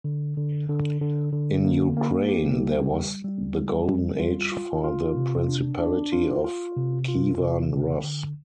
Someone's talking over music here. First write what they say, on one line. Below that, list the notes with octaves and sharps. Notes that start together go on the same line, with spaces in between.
In Ukraine, there was the golden age for the principality of Kievan Rus.
D3
D3
D3
D3
D3
A#3
A#3
G4
G3
G3
G3
G3
G3
F4
F4
F4
C3
D4
D4
F4
F4
C3
F4
C3
D3
D3